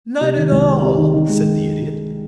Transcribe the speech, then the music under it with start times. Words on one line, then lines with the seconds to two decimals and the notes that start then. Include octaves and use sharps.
"Not at all," said the Idiot.
0.21 C3
0.36 D#3
0.52 C2
0.67 G#3
0.82 C3
0.97 D#3
1.13 D#3
1.29 G#3